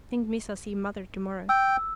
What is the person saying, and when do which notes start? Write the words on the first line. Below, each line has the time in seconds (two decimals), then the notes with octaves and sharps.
Think Missa see Mother to-morrow.
1.49 G5 E6